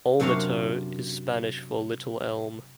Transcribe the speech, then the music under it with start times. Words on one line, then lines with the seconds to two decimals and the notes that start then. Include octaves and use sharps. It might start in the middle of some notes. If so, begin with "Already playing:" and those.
"Olmito" is Spanish for "little elm".
0.20 F#2 C3 D4 F#4 F5